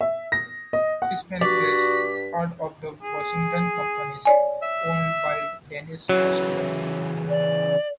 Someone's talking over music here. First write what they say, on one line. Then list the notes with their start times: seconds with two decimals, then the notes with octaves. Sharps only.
Seaspan is part of the Washington Companies, owned by Dennis Washington.
0.01 E5
0.32 A#6
0.73 D#5
1.02 F#5
1.41 G2 F#4 D5 B6
3.03 G#4
4.25 C#5 D5 G#5
4.63 E5
6.09 C#3 E3 F#3
7.29 D5